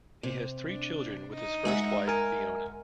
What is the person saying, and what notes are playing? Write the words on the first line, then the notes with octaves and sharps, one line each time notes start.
He has three children with his first wife Fiona.
C3
D4
D#4
G#3 E5 F#5
A#4 G#5